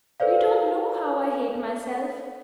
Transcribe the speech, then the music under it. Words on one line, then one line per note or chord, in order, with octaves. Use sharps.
'You don't know how I hate myself.
A4 B4 C5 D5 F5